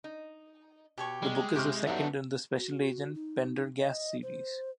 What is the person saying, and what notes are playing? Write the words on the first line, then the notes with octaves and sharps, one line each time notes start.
The book is the second in the Special Agent Pendergast series.
D#4
B2 G4 C#5 C#6
G3 G#3
C3 E4 G4 C#6 F6
F#3 G3 B3 D#4 A4 E5 F#5
F#4
D#4
D#5
C5